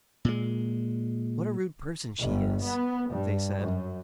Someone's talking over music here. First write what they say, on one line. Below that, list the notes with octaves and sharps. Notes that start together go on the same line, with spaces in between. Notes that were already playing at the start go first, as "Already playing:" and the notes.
"What a rude person she is!" they said.
A#2 G#3
G1
B3
G2
F#2